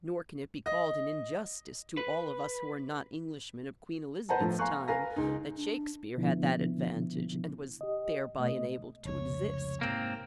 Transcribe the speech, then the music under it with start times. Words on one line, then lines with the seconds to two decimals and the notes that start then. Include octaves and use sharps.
Nor can it be called an injustice to all of us who are not Englishmen of Queen Elizabeth's time that Shakespeare had that advantage and was thereby enabled to exist.
0.66 D#5
1.97 B4
4.29 B4 C5 F#5 A5 A#5
4.41 A2 F3
4.59 F5 G#5 A#5 C6 C#6 F#6
4.88 A#4 B4 F5 G#5 A#5 A#6
5.16 C#2 D#4
5.57 D4
6.17 B2 D3 F3 B3 D4 E4
7.81 G4 D#5
8.38 B2 A3 D#5
9.05 F1 C#2 C#5
9.81 G#2 C3 A#3 C4 A#5